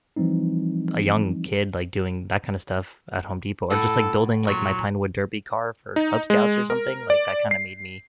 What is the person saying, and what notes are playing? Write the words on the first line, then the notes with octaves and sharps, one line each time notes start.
a young kid, like, doing that kinda stuff at Home Depot or just, like, building, like, my pinewood derby car for Cub Scouts or something, like, that kinda made me
E3 F3 G3 C4 D#4
A2 A4 F#5
A#2 F#3
D#4
G#3
A#4
D5
C7